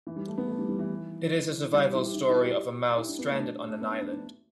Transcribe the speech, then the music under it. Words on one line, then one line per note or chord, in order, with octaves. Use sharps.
It is a survival story of a mouse stranded on an island.
E3
G3
A3
B3
A3
G3
G3
E3
G3
G4
E4
G4
E4
E4
G4
E4
D4
B3
A3
D4
A3
B3
D4
D4
D4